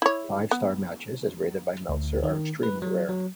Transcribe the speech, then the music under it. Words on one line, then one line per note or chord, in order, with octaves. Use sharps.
Five-star matches, as rated by Meltzer, are extremely rare.
E4 C#5
B3
D2
D#3
B4
F#3
F#3